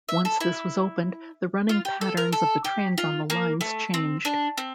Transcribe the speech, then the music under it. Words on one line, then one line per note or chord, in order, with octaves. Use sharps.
Once this was opened, the running patterns of the trains on the lines changed.
E5
A4
E4
F4
G4
A4
A#4
A4
G4
F4
A#3
A3
C4
D4
C4